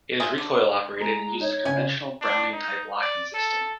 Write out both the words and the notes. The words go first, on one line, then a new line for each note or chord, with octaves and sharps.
It is recoil operated and uses a conventional Browning-type locking system.
F4 G#4 E5
D3
G#3 A#5
D#4 C#5
C#3 C#4 G#5
D4
D#4
D5
A4